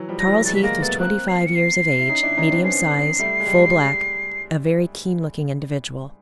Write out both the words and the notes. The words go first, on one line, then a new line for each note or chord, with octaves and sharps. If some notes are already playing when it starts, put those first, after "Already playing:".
Charles Heath was twenty-five years of age, medium size, full black, a very keen-looking individual.
Already playing: E3 F#3
F3 G3
A#6
E3 F#3
F#3 G#3 A6
B6
G#3 A#3 A#6
A3 B3 A6
A#3 C4 F#6
C7
C#7
C7
E4
C#4 D#4
D4 E4
C#4 D#4
C4 D4
B3 C#4 C7
G3 A3
G#3
G3 A3